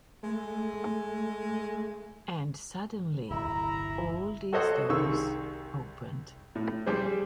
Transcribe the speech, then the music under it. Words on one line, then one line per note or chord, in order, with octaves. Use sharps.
And suddenly, all these doors opened.
G#3 A3
D1 G1 C3 E4 A#5
F#4 A4 C5 C#5 D#5 F#5
C2 D#3 G#4 C#6 E6
A2
G3 G#4 C5